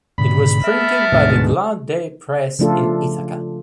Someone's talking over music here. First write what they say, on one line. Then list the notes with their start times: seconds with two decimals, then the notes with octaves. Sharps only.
It was printed by the Glad Day Press in Ithaca.
0.18 G#2 B2 D3 B5
0.64 B3 A#4 E5 A5
1.12 D2 G#2 B2
2.59 C#3 F3 A3 D4 F4 A4